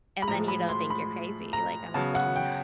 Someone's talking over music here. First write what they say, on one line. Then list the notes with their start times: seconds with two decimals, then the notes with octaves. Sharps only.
And then you don't think you're crazy, like, I'm not the only, o
0.22 B5
0.28 A2 F3 G#3 A#5
0.48 B5
0.69 C6
0.90 B5
1.53 A#5
1.94 C#3 F#3 B3 A5
2.15 F#5
2.36 G5